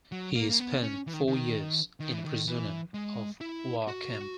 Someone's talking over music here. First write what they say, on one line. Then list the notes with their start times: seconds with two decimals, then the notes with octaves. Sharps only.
He spent four years in a prisoner of war camp.
0.12 F#3
0.35 A#3
0.50 A#3
0.60 B3
0.83 C#4
1.07 E3
1.13 D#3
1.27 D#3
2.00 D#3
2.13 E3
2.25 D#3
2.47 E3
2.94 G#3
3.41 E4
3.88 F#4